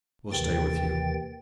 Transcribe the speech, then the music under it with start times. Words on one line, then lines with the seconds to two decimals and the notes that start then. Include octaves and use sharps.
I will stay with you.
0.32 D#2 C3 D#3 E3 G5 A6